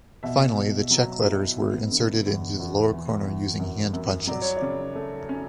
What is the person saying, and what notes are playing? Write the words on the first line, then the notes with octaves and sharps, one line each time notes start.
Finally the check letters were inserted into the lower corner using hand punches.
B2 E5
B2
F#3
E4
B3 E5
D3
E2
E2
E3
E3
F#2
F#2
F#3 D5
C#5
D5
C#3
A3
C#4